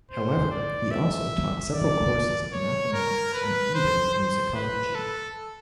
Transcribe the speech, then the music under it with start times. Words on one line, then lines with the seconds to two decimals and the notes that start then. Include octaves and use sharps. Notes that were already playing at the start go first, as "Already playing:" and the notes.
However he also taught several courses of mathematics and even musicology.
0.11 C5
0.51 D5
0.91 E5
1.72 D5
2.53 C#5
2.93 A#4
3.34 B4
3.74 C5
4.14 C5
4.55 B4
4.95 A4